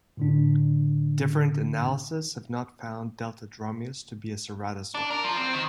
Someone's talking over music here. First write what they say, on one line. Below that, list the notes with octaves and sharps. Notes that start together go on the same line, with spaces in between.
Different analyses have not found "Deltadromeus" to be a ceratosaur.
A2 D3 D4
D4
A#4
F3
C4
D#3